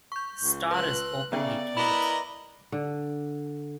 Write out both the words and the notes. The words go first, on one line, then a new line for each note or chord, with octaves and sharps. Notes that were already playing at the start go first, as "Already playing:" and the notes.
Star is openly gay.
C#6 G6
C#2
B4 C6 E6 F#6
C#3 B3 D5 E5 G5
E4 A#4 B4 D#5 B5 D6
D3